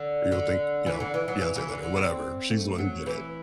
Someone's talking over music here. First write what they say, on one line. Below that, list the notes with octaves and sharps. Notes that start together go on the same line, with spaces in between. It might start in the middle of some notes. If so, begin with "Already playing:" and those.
or you'll thank, you know, Beyonce later, whatever. She's the one who did it.
Already playing: D3
D3
E3
D3
E3
F#3
E3
E3
D3
D3
C4
A3
F#3
E3